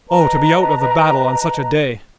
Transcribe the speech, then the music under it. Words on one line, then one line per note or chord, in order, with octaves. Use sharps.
Oh, to be out of the battle on such a day!
B4 D#5 A5 A#5